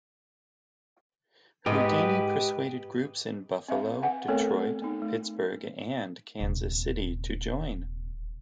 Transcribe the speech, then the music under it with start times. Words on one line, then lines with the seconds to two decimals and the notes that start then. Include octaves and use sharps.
Houdini persuaded groups in Buffalo, Detroit, Pittsburgh, and Kansas City to join.
1.66 G#2 G4 B4 D#5
3.68 C4 E5 F5
4.03 B4 F#5 G#5
4.28 A3 B3 C4 A4 A#4 C#5
4.82 B3 D#4
5.02 A3
6.40 D#1 C3